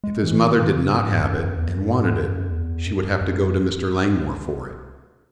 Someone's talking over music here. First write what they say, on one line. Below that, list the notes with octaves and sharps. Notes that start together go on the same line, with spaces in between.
If his mother did not have it and wanted it she would have to go to Mr. Langmore for it.
G#3
D#3
E3
D#3
C#3
G#2
F#2
F#2
E2
F#2
G#2
F#2
E2
F#2
F#2